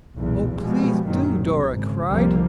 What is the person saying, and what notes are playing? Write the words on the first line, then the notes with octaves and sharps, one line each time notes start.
"Oh, please do," Dora cried.
B1 E2 G2 A#2
B2 F3 G3 G#3
F#1 F#2 A#2 D#3 F#3
C2
G#1 C#3
C2 F2 D3 G3 A#3